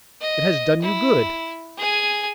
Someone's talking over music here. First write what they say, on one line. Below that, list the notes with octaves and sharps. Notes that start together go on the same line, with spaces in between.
It has done you good?
D#5
E4
G#4 G#5